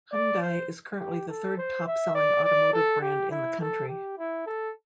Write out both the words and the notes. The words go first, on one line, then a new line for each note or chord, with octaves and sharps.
Hyundai is currently the third top selling automotive brand in the country.
D5
C5
G4
A4
C5
E5
D5
D5
A4
G4
E4
A4
G4
E4
A4